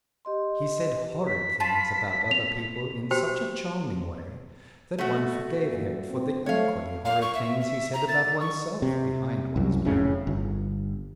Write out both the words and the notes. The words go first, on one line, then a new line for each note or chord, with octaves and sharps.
He said horrid things about other people in such a charming way that one forgave him for the equally horrid things he said about oneself behind one's back.
G4 D#5 C6
B6
F4 A5 B5
F7
F#4 G4 C5 G5
A3 F#4
A#2
C4
A3 C#5 F5
F5
C#6
E5
E5
A#5
A6
C#6
C3
C2 F#2
F1 A2 C#3 C#4
G1